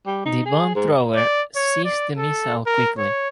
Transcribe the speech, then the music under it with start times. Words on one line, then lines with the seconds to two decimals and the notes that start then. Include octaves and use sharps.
The bomb-thrower seized the missile quickly.
0.06 G3
0.25 D#4
0.45 G#4
0.75 G#2
1.16 D5
1.56 C#5
1.84 D5
2.17 A4
2.66 A#4
2.98 C#5